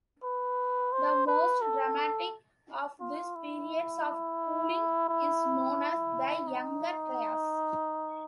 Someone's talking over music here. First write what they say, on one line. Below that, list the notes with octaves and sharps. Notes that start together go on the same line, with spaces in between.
The most dramatic of these periods of cooling is known as the Younger Dryas.
B4
C5
B4
A4
F4
E4
E4
D#4